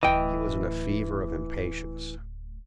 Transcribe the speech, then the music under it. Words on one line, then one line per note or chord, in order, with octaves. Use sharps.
He was in a fever of impatience.
D1 A2 E3 D#5 G5